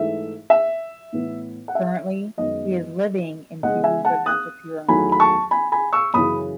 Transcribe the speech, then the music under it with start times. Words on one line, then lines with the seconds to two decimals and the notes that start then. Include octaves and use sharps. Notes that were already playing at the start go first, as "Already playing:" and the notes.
Currently he is living in Thiruvananthapuram.
Already playing: G#2 E3 A3 E5
0.50 E5
1.13 A2 E3 B3
1.68 F#5
1.75 E5
2.38 F#2 D#3 G#3 B3 D#5
3.63 C#3 G#3 B3 D#5 F#5
3.84 E5 G#5
4.05 F#5 A5
4.26 D#6 F#6
4.88 E2 D#3 F#3 A3 G#5 B5
5.12 B5
5.20 A5 C#6
5.51 G#5 B5
5.72 G#5 B5
5.93 C#6 E6
6.14 F#2 C#3 E3 B5 D#6